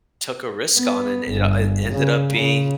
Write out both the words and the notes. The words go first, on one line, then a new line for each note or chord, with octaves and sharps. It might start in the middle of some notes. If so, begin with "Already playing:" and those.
took a risk on and it, uh, ended up being
B3
G1
C#3
C#3